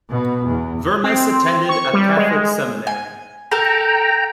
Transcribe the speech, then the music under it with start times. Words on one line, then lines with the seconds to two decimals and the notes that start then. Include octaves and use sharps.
Vermes attended a Catholic seminary.
0.11 B2
0.48 E2
1.04 C4
1.69 C#6
1.94 G3
2.17 G#3
2.87 G#5
3.51 A4 A#4 G5 A#5